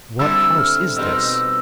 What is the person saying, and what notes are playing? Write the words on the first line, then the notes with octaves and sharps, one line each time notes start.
"What house is this?"
D3 G3 C4 E4 A4 E6
F6
B2 G3 C4 D#4 E6
E6